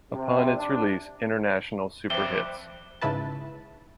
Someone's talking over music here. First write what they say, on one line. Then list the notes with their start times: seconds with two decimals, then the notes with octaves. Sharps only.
Upon its release, International Superhits!
0.11 C3
0.56 D4
2.10 F2 G3 C4 B4 C5 E5 D6 G7
3.01 G#2 C#3 E4 B4 A5